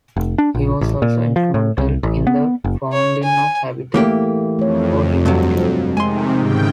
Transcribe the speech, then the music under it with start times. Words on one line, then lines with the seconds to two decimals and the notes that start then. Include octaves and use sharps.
He was also instrumental in the founding of Habitat for Humanity.
0.16 F1
0.38 D4
0.55 A#1
0.81 A1
1.02 A#2
1.36 F3
1.54 A2
1.78 C2
2.03 A1
2.27 B3
2.64 F#1
2.92 C#5
3.23 G#5
3.94 E3 A3 A#3 G4
4.59 F2 A3 C#5
5.26 G2 C3 F#3
5.97 C3 D#3 G#3 G#5 C6
6.38 G#2 C#3 G5